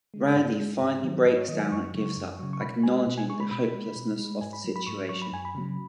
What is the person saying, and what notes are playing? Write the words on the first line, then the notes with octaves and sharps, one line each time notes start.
Randy finally breaks down and gives up, acknowledging the hopelessness of the situation.
G#3
G#2 G#4
G#3
G#2
D#3 F#3
G#2 B4
C#5
D#3 D#5
F#3
G#5
F#2 C#6
C#3 F#3
F#2
C#3 F#3
C#6
B2 B5
G#3 G#5
B2
G#5
G#3 C#6
B5
B2 B5
G#3
B2
G#3
G#2 G#5
B5
F#3
B5
G#2 C#6
F#3 C#6
B5
F#2 G#5
B5
C#3 F#3